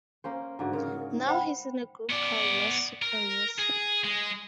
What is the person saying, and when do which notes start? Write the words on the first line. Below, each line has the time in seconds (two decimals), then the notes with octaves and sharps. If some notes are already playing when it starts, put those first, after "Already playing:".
Now he's in a group called Los Super Reyes.
0.24 A#3 C#4 C5
0.59 G#2 D3 F#4
0.73 C#3 A#4 C#5
1.11 D#4
1.27 C5 F#5 G5 B5
2.10 B3 D5
3.02 A#4
3.59 G#4
4.04 G#3